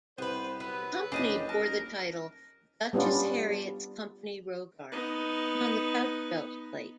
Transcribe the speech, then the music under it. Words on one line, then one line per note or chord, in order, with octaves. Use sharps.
The company bore the title "Duchess Harriet's Company Rogart" upon the pouch-belt plate.
C2 B3 B4 C5
F#3 B3 B4
F#1 D4 G4 D#5 A5
D#1 A#4 A5
G3 B3 C#4 D4 F4
B3 D#4